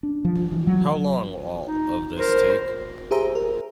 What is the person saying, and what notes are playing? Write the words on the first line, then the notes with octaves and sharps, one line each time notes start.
How long will all of this take?
D4
F3
E3
F#3
D#4
A#4 C5
G4 G#4 C5 E5 A#5
A#4